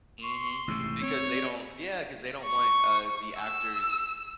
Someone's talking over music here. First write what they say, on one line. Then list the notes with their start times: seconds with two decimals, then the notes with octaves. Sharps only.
Mhm. Because they don't yeah, 'cause they don't want, uh, the actors
0.23 C6 C#6
0.68 A1 G#2 C3 E6
1.03 C4 C#5
1.34 D5
2.45 C#6
3.38 E6